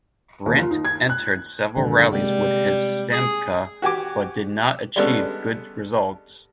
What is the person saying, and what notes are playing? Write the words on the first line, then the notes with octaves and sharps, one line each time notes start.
Rindt entered several rallies with his Simca but did not achieve good results.
D#2
F4
D#4
G#6
F#6
G#1 F#2 D3
C3 G3 G#3 A#3
G#4
F#4 G4 G#5 D6
G3 G#3 B3 C#4 D4 A4